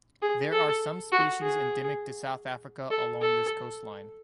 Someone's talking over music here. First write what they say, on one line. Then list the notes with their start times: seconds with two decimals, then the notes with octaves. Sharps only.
There are some species endemic to South Africa along this coastline.
0.22 G#4
0.52 A4
1.12 F#4
1.42 G#4
2.91 A4
3.21 A4